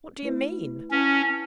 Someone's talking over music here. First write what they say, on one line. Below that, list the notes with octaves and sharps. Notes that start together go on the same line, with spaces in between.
What do you mean?
A3 E4 B4
C#4 E4 B4 F#5 A5